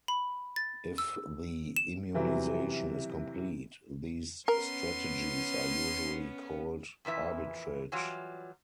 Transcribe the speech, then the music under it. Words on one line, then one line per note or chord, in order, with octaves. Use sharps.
If the immunization is complete, these strategies are usually called arbitrage.
B5
A6
E6
E7
C3 E3 F#3 G3
B3 C#4 A#4 C6
F2 A#2 E3 E5
E3 F#3 G3 F4